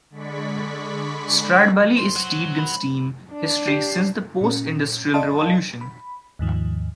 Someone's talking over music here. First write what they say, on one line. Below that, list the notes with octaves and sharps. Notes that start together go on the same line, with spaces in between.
Stradbally is steeped in steam history since the post industrial revolution.
D3 G#3 D5 B5 C#6 B6
C5
F#3 F#4
B5
D4
G4 C7
A#2 C#4
D5 D#5 F5 A5 C6
B5
D#2 G#2 D#3 F3